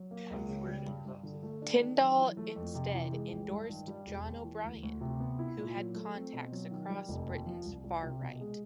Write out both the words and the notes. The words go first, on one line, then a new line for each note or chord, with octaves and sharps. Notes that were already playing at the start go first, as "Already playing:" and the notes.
Tyndall instead endorsed John O'Brien, who had contacts across Britain's far-right.
Already playing: F#3
A#3
C#2
C#3
G3
G2
G2
D3
A3
D4
D#3
F#3
E3
A3
F2
C3
E3
G#3
A1
G2
D#3
G3
E1
D#2
E3
D2
D2
C3
B3
E4
A#2
F#3
A3
C4
B2
F#3
D#3
G3
F1
D#2
F3
C2
C2
C3
B2
G#3